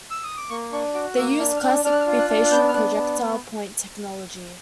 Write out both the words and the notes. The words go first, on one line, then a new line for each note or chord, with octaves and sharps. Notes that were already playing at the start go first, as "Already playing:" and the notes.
They used classic bifacial projectile point technology.
E6
D#6
D6
A#3 C#6
D4 C#6
F#4 D6
A#3 E6
D4 F6
F6
D4 F#6
D4 F6
F#6
F6
F4
F#6
D4
F#6
B3 G6
F6
D4 F#6
B3